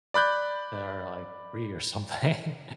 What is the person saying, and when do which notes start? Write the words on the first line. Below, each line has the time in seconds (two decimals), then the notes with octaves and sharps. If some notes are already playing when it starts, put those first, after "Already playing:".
that are, like, free or something,
0.14 D5 B5 F#6 G6